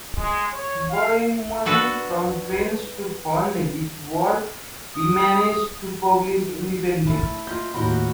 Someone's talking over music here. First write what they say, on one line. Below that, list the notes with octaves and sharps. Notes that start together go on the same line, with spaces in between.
Borrowing money from friends to fund his work he managed to publish independently.
G#3
C#5
F5
D4 F#4 A4 B4
D#6
A3 E4 A5
F4 D#5 G6
D#2 A2 F#4 A#4 D#5 B5